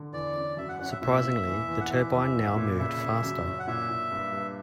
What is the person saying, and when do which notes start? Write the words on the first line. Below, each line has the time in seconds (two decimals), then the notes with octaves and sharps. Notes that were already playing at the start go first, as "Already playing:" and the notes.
Surprisingly, the turbine now moved faster.
Already playing: D3
0.13 E2 D5
0.36 C#4
0.57 F#2 E5
0.68 F#5
0.79 C#4 F#5
0.91 E5
1.02 A#2 E5
1.23 A#2
1.46 E2
1.68 E2
1.80 F#5
1.90 E2 E5
2.12 E2
2.35 A#2
2.56 A#2
2.79 C#3 E5
3.01 C#3
3.23 F#2
3.45 C#4
3.59 F#5
3.67 A#2 E5
3.89 A#2
4.12 G2
4.33 G2